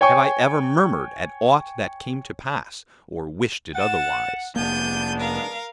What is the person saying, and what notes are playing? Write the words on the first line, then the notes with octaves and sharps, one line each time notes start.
Have I ever murmured at aught that came to pass, or wished it otherwise?
C#5 G5 G#5 C#6
F#5 A6 E7
F1 G#3 A#3 B3 D4 G6 D#7
A#4 F5